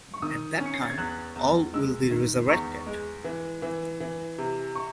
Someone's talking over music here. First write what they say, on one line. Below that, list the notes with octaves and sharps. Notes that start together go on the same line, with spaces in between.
At that time, all will be resurrected.
C#6
D#3 D#6
C#4
C#7
C7
A6
G#6
E2 F#6
E2
G#3 E6
D#3
E2 C#6
G#3
E3
E3
E3
C3
C#6